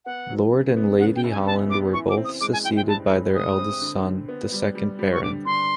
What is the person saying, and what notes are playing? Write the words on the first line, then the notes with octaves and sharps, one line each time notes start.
Lord and Lady Holland were both succeeded by their eldest son, the second Baron.
B3 F#5
F#3
C#3
B3
C#3 F#5
G5
F#2
G#5
B3 A5
B3 D6
E3 C#6
D6
C4
D#6
G#3 D6
G#5
E3 G5
G5
G2 A5
G#3
G#3 D#6
C4
D3
D3
B3
G3
G3
G3
C#6
D3 D6
D3 C6